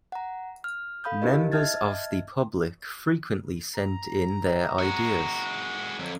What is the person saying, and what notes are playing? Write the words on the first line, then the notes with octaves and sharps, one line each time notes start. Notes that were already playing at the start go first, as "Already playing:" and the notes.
Members of the public frequently sent in their ideas.
F#5 A#5
F6
A4 F5 B5 D#6 G6
D#4 E4 G4 A#4 D#5
D#5 E5 A5 F6 G#6 A6
A#5
G#3 F#4
F2 D3 F#3